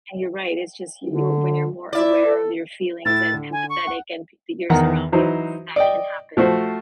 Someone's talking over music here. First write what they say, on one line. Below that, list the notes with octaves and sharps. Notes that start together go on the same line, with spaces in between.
and you're right, it's just you when you're more aware of your feelings and empathetic and p your surroundings, that can happen,
D3
E4 D5 E5
A4
A2 E4 E6 A6
D3
G#5
C#6
F#5
E2 D#3 F#5 A#5
E3 F#3 D#4 C5
D5 D#5 G5
F3 A3 F#4 C5